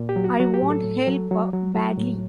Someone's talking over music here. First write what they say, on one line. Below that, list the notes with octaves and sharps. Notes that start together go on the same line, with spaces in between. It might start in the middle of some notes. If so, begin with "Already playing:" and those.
I want help badly.
Already playing: A#2
G4
F#3
F#4
F#3 F#4
G4
A2
A4
A2
F#3
F#3
F#3
F#3
A2